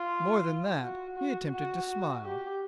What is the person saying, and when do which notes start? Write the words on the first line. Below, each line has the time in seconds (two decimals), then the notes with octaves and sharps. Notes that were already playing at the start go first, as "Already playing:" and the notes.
More than that, he attempted to smile.
Already playing: F4
0.81 F#4
1.17 F#4
1.53 F#4
1.89 F#4
2.25 G4